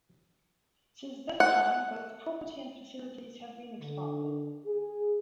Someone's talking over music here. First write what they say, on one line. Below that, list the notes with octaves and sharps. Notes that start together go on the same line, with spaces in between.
Since that time, both property and facilities have been expanded.
F#5
D3
G#4